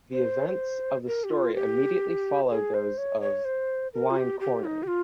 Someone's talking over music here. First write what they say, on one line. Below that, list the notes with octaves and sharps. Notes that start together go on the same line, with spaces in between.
The events of the story immediately follow those of "Blind Corner".
C5
A#4
G4
F4
G4
G#4
C5
C#5
C#5
C5
A#4
F4
G4
G4
D#4
G4
F4